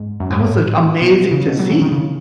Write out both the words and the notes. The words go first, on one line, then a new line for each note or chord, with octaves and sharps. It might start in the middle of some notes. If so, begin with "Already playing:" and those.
That was, like, amazing to see.
Already playing: G#2
F#2
G#2
A2
B2
C#3
B2
F#3
E3
D#3
C#3